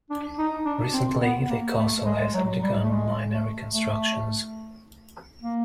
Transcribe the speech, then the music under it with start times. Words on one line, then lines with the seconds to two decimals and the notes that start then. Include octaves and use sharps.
Recently, the castle has undergone minor reconstructions.
0.10 D4
0.38 D#4
0.65 D4
0.93 C4
1.22 B3
1.49 A#3
1.78 A3
2.05 G#3
2.34 F#3
2.62 G3
2.84 A3
2.91 G#3
3.33 A3
3.73 A3
5.42 A#3